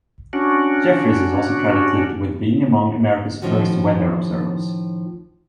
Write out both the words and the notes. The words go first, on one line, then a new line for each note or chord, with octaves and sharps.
Jeffries is also credited with being among America's first weather observers.
C#4 D4 F#4
A2 D#3 F3 C#4 F#4